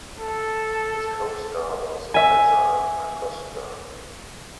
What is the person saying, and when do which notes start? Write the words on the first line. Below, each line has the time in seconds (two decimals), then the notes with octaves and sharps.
His co star was Vanessa Acosta.
0.20 A4
2.14 E5 G#5